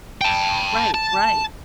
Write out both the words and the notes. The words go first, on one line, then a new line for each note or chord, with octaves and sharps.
Right, right.
G5 A5
A5